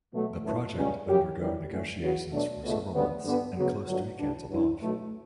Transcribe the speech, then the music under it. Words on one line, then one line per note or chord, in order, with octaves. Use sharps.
The project undergo negotiations for several months and close to be cancelled off.
B2 F#3 A3
G1 F#2 E3 A3
C#2 C#3 G3 C#4
F#2 C#3 F#3 C#4 G4
G1 F#2 E3 G3
A1 G2 D3 A3 C#4
E2 C#3 F#3 B3 F#4
B2 F#3 A3 D4
C#2 B2 A3
D2 C#3 G3 B3
G2 D3 G3 B3
D2 C#3 F#3 B3 F#4
G1 F#2 D3 F#3
A1 G2 D3 G3 D4
G2 F#3 C#4 E4
B1 B2 F#3 A3